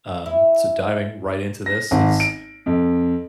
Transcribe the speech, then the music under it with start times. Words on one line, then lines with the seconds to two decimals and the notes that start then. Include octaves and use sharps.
um, so diving right into this is,
0.26 E4
1.66 A#6
1.91 G#1
2.20 D7
2.66 F2